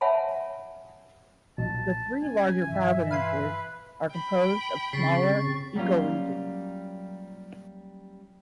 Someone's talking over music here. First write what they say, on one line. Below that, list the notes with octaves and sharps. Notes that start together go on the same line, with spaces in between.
The three larger provinces are composed of smaller ecoregions.
C#5 E5 F#5 G#5 A5 B5
B1 A#2 F3 A#3 A5
C4 C#4 G#5
G2 B2 E3 E5
B4 F5 G#5 C6
G5 B5
C#3 C4 C#6 A6 B6 C7
F#3 G3 A#3 C#4 F4